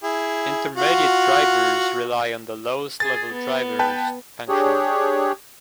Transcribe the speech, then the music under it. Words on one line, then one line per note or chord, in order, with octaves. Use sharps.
Intermediate drivers rely on the lowest level drivers to function.
E4 G#4
F4 F#4 F#5
G#4 A6
B3
B4 G5 A5
D4 G4 G#4 C#5